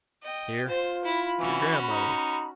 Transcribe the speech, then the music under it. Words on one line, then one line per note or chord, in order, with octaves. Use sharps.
"Dear," your grandmother.
D#5 G5
F4 C5
E4 B5
E3 C#4 F#4
D#4